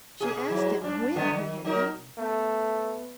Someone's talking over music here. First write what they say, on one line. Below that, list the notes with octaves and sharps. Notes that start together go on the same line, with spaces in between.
She asked him when he had eaten.
B2 G#4
G#2 F#3 E4
G2 D4
F#2 D3 B3
D#3
F#3 D#4 A#4
A3 B3